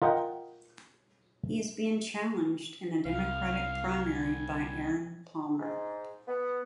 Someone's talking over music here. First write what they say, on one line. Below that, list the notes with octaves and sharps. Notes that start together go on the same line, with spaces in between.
He is being challenged in the Democratic primary by Erin Palmer.
F4 A#4 D#5 F#5 G5
C2 F5
G#5
G#2
B3